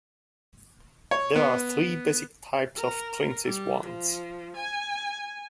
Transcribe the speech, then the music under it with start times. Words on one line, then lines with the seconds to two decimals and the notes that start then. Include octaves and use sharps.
There are three basic types of prince's wands.
1.11 C#5
1.36 B3
2.75 A#4
3.44 G3
3.82 F3
4.57 G#5